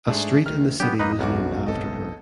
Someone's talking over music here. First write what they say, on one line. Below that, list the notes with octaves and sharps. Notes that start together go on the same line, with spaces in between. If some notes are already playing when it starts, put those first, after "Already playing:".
A street in the city was named after her.
G#2 A3 D4 G#4
D2 D#3 F6
F#3 B3 C#4 D4 G4
F2 A#3 D#4 B4 D#5
B1 F#2 F#4 D6
F#1 G#2 C3 A4 D#5